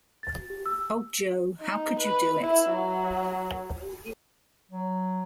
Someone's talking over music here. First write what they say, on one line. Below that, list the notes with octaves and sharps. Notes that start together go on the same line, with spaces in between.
O Jo, how could you do it?
A6
G4
E6
D#4
B4
E4
F#3
F#3